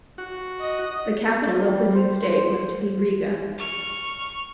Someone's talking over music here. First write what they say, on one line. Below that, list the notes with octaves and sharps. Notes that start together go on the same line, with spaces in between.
The capital of the new state was to be Riga.
F#4
D#5
D2
G3
C5
C5
C#6 F6